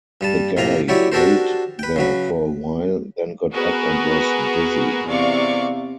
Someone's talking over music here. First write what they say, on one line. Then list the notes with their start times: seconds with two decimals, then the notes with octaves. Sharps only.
The guy laid there for a while, then got up and was dizzy.
0.21 G2 G3 A5
0.57 A2 C3 A#3 F4 A#5
0.88 F#3 E4 G4 C#5 D5
1.12 D4 F#4 G4 A4 A#4 C5
1.79 B4 G5
1.96 C#3 F#3 B4
3.53 B3 F#4 G#4 A#4 B4
5.06 E2 C3 D5 F5 C#6